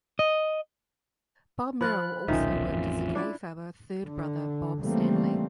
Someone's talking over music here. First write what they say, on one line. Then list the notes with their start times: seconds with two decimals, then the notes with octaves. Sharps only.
Bob Merrill also worked as a kayfabe third brother, Bob Stanlee.
0.19 D#5
1.81 F3 F4 B5 F#6
2.28 D#1 B1 D#3 C#4 F4 E5
2.73 A1 F2
3.15 D4 E4 D5
4.04 D3
4.82 C#3 E3 G3 A3 A#3 C4